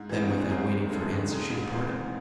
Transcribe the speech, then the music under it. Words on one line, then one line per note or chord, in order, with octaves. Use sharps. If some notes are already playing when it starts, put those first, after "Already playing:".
Then, without waiting for an answer, she departed.
Already playing: G#2
E3 C4 D#4
G#2
E3 C4 D#4
D#2
C#3 G#3 D#4 A4
D#2
C#3 G#3 D#4 A4
A1
G#2 E3 C4 D#4
A1